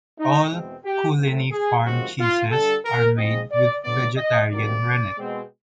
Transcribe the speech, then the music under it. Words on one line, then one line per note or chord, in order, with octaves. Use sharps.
All Cooleeney Farm cheeses are made with vegetarian rennet.
D#4
E2 B2 G#3 C4
G4
A2 F#3 A3 C4
G#4
D#2 C#3 F3 G#3 C4 F#4
F4
G2 D3 G3 A4
A#4
G#2 F3 G#3 C4 D#5
D5
D2 D3 F#3 B3 D5
D#5
C#2 C3 D#3 F#3 A#3 D5
B2 G#3 C4